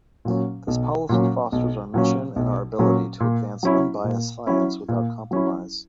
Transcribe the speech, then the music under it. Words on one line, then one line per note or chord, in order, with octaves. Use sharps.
This policy fosters our mission and our ability to advance unbiased science without compromise.
A#2 F#3 C#4
B1
A#2 F#3 C#4
B1
A#2 F#3 C#4
B1
A#2 F#3 C#4
A#2
F#3 C#4 E4
A#2
F#3 C#4 E4
A#2
F#3 C#4 E4